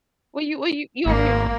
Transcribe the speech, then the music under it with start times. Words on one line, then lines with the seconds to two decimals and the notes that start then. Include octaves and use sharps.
Well, you you over here, tr
1.06 G#1 A#3